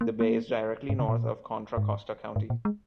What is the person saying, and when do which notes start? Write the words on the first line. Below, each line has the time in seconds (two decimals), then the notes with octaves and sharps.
The bay is directly north of Contra Costa County.
0.01 A#3
0.20 A#3
0.89 G#2
0.99 C#3
1.08 A#2
1.77 G#2
2.36 G#2
2.50 A#2
2.65 G#3